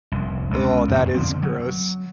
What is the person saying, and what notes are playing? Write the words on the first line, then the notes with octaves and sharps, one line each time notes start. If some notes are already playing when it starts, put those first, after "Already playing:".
Oh, that is gross.
F1 C2
C#2 B2
F2 A#2
D3 F3 C4
F#3